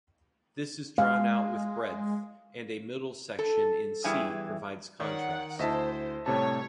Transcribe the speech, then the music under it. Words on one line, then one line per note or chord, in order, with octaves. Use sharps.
This is drawn out with breadth, and a middle section in C provides contrast.
G#3 F5
A4
E2 E3 G3 G#4 E5 G#5
D#3 C#5 D5 F#5
D2 E4 C5 D#5 E5 A5
A2 C3 G3 C#5 A5